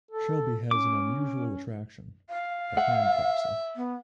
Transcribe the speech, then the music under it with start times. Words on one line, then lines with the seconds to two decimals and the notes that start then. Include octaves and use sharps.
Shelby has an unusual attraction - a time capsule.
0.11 A4
0.71 C#4 D6
2.29 F5
2.77 E5 F#5
3.75 B3